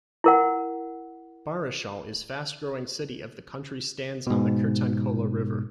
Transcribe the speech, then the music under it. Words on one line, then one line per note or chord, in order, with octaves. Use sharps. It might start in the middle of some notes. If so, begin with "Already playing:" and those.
Barisal is fast growing city of the country stands on the Kirtankhola River.
E4 A#4 F#5
G#2 B2